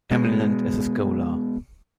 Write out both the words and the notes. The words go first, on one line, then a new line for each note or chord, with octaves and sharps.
Eminent as a Scholar.
B2 G#3